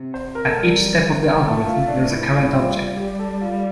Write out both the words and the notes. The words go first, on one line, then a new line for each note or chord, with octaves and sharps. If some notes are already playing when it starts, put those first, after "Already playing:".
At each step of the algorithm there is a current object.
Already playing: C3
C5
A#4
A4
G3 A#4
A3 A4
F4
D4
E4
G3 E4
F4
F4
G4
A4
F4